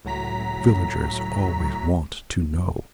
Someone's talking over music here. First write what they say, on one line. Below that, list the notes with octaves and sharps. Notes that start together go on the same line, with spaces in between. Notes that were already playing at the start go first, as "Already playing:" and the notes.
Villagers always want to know.
C#2 A2 F#3 A#5 B6